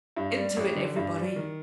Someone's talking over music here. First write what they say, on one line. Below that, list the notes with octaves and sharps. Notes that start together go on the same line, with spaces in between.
"Into it, everybody!"
G2
G3
A1
D3
G2
G3
D#3